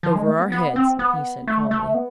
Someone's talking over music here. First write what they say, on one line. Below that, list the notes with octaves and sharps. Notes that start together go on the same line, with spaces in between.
"Over our heads," he said calmly.
F3
G#3
A3
B3
B3
C4
B3
A3
A3
B3